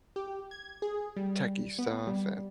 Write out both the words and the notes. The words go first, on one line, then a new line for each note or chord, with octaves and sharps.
techy stuff and
G4
G#6
G#4
G3
B3
G3